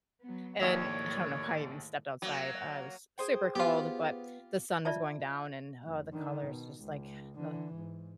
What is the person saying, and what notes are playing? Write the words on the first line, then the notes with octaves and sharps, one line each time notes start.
and I don't know why I even stepped outside, I was s super cold, but the sun was going down, and, huh, the colors just like the
F#3 B3
A#1 D#2 A2 D#3 C#5 D5
F#3 A#3
G#4 C5 G5
B3 F4 G4
F4 D5 E5 A5
F1
D3 D#3
B2
C#2
D3 E3
G#2